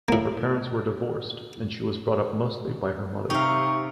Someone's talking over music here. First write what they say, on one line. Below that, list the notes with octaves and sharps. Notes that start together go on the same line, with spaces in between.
Her parents were divorced, and she was brought up mostly by her mother.
A2 A#3
C3 D#4 E5 F5 G5 C#6